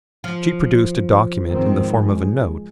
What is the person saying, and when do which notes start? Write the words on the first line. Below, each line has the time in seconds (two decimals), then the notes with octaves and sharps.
She produced a document in the form of a note.
0.24 F3
1.50 G#2 D#3 C4
1.94 G#3